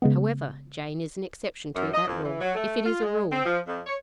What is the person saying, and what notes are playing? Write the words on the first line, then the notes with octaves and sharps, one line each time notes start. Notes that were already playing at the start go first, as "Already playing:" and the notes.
However, Jane is an exception to that rule--if it is a rule.
C#3 G#3 B3
F#2
D#5
F2
E3
F#3
A3
F4
G#3
C4
F3
F2
C#5